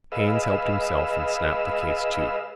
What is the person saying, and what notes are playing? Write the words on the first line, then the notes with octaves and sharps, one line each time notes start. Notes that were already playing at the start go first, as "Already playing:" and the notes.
Haines helped himself and snapped the case to.
G#4 B4 D#5 F5 E6